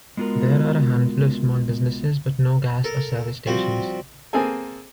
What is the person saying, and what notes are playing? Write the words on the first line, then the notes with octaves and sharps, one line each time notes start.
There are a handful of small businesses, but no gas or service stations.
G#3 B3 F4 F#4 A#4
A4 A#4
F3 G3 C4 F#4
A#3 C4 G#4 A4 G#5